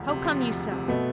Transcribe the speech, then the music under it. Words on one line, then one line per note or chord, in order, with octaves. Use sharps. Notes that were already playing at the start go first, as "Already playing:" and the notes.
How come you so?
Already playing: E1 D2 F3
C3
F3
D2
E1
C3
B2 A3 B3